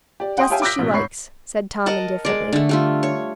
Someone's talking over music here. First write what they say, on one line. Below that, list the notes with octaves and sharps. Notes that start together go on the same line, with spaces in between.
"Just as she likes," said Tom indifferently.
G4 D5
F#5 G5 C6 D#6
G4 C#5 E5 F5 G5 G#5
D6 E6 F#6 G6 A#6 B6
A1 B2
G#2 C#5 B5 C#6 C7
A#4 D#5 F#5 A5
G#3 D5
D3 A3
G3 A3 F4
C#5